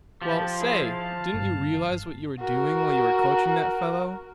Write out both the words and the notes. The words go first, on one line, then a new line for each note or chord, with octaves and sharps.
Well, say, didn't you realize what you were doing while you were coaching that fellow?
F3 G4 A5
E4 G#4
F5 A5
G1
F#4 A#4